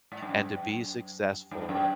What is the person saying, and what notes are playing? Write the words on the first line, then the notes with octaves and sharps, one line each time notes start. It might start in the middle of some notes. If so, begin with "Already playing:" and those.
and to be successful
G#2
G2
F#2
G2
F#2